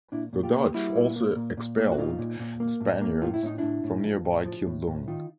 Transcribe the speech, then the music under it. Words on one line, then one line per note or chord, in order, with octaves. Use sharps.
The Dutch also expelled the Spaniards from nearby Keelung.
A#2 D4 E4
A#2
F4 G4
A#3
G4
G3 E4 F#4
A#2
A#3
A#2
A#2
A#3
F#4
A#2 D#4 F4
A#2
A#2
A#3
A2
A#3
A2 F4
E4
A2 D#4
A2 D4 E4
A2
F3
A2
F3
A2
A2
D#3 D#4 F4